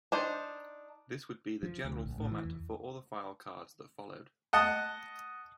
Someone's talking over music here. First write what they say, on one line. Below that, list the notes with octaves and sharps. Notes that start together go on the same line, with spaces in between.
This would be the general format for all the file cards that followed.
D4 D#4 C5
F3
D2
A#1
A2
E3
E2
D#5 F#5 A5 D#6